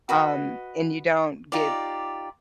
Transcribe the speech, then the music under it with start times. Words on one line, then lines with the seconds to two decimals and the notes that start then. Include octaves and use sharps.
um, and you don't get
0.09 F#4 B4 D#5
1.52 D#4 F4 G4 D5